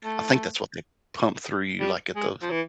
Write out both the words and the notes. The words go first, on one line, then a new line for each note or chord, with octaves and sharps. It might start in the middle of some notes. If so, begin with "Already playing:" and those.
I think that's what they pump through you, like, at the f
A3
G3
G#3
F3
E3